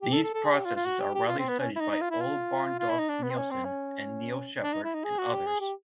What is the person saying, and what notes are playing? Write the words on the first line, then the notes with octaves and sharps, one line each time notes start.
These processes are widely studied by Ole Barndorff-Nielsen and Neil Shephard, and others.
G4
A4
A4
A4
G#4
G4
F4
F4
F#4
G4
G4
F4
C4
B3
C#4
E4
D#4
D#4
F4
E4
F4
F4
E4
D#4
D4
B3
C4
C#4
C4
C#4
D4
D#4
E4
D#4
G#4
F#4
G4
G#4
G4